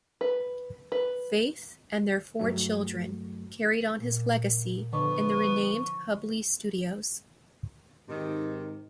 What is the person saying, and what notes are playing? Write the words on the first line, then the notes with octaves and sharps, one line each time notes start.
Faith and their four children carried on his legacy in the renamed Hubley Studios.
B4
B4
G2 F#3 A3
A#2
D3 F3 B3 C#6
G#2 C3 D#3